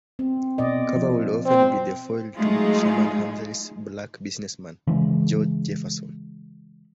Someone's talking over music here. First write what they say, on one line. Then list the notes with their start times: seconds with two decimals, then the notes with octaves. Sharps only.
Cover would often be the foil to Sherman Hemsley's black businessman, George Jefferson.
0.19 C4
0.58 B2 D5 D#5
0.96 F3
1.46 C4
2.35 F#3 G#3 A3 D#4 F4 G#4
4.87 C#3 E3 G#3